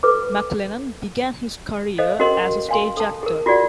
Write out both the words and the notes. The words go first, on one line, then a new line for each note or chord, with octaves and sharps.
MacLennan began his career as a stage actor.
A4 B4 D6
A4 C5 D#5 F5
C#4 F#4 G#4 A#4 D#5 C6
F5 G#5 C6
A4 A5
G#4 A#4
F4 F#4 G#4 D5 F#5